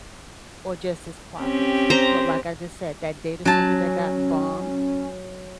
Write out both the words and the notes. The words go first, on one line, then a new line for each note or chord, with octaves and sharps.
or just its profits? But, like I just said, that data center that got bombed,
C4 C#4 G4
C5 A#5
F#3 C#4 A5